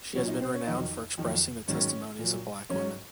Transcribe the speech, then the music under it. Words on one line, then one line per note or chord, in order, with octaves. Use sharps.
She has been renowned for expressing the testimonies of black women.
A#2 F#3 C#4 C#5
D#4 D#5
C4 C5
C#4 C#5
F2 D#3 F#3 D#4 D#5
F2 D#3 F#3
G#2 D#3 F#3 C#4 C#5
A#2 F#3
G#2 F#3 C#4 C#5